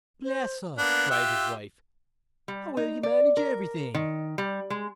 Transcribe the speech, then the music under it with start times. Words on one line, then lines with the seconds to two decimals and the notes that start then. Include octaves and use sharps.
'Bless us!' cried his wife, 'how well you manage everything!
0.24 C5
0.78 A#3 B3 D4 F#6
1.11 F4 G4 E5
2.48 G3
2.77 D#4
3.03 D5
3.37 A#4
3.94 D#3
4.38 G3
4.70 G#3